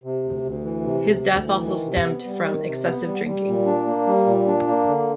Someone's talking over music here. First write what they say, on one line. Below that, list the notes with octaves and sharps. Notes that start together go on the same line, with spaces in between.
His death also stemmed from excessive drinking.
C3
D2
D2
E3
C3
D2
D2
E3
D#3
C3
B3
G3
D#3
C3
B3
G3
G3
A#2
D4
A#3
G3
A#2
D4
A#3
D3